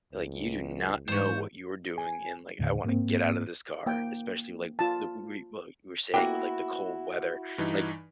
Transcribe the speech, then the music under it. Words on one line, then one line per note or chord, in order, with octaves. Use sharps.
like, "you do not know what you are doing," and, like, "I wanna get out of this car," especially, like, the wa wa what you were saying with, like, the cold weather, like,
C#2
G#2 E3 C5 C#5
G#5
D#2 A2 D3
G#2 A#3 C4
A#3 G5
F4 A5
A#3 B3 E4 F#4 G4
G2 E3 D#4